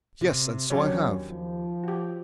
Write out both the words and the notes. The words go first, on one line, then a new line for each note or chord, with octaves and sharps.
Yes, and so I have.
C3
D#2 F#3 C#4 D4 G4 C#5
F3
F#4 G4